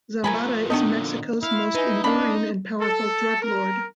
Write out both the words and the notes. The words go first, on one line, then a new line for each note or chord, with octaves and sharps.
Zambada is Mexico's most enduring and powerful drug lord.
F3 A3 A#4 G#5 B5
A#2 D3 D#3 F#3 B3 D4 D#4
E4 F5
D#4 B4 G#5
C#4 D4 F5 B5
A4
A#4